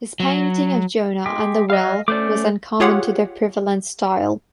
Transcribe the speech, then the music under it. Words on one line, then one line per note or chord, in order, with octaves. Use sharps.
His painting of "Jonah and the Whale" was uncommon to the prevalent style.
F#3
G#3 G4
F#3 D#5 F5
A3 C#4 C5 D5 D6
F4 G4 G#4 C#5 F5 F#5